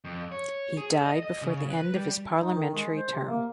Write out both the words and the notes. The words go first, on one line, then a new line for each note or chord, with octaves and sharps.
He died before the end of his parliamentary term.
F2
C#5
G#4
A4
D#5
D#5
C#3
B4
G3
D#4
D#3
G#3
C5
C3
A#3